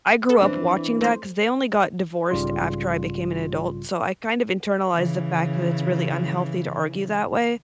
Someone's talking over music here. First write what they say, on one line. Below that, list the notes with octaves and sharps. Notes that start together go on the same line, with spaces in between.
I grew up watching that, 'cause they only got divorced after I became an adult, so I kind of internalized the fact that it's really unhealthy to argue that way.
B3 A4
E3 C4 D4
A3 C5
B1 G#2 C#3 G3 F4 C6
C#3 E3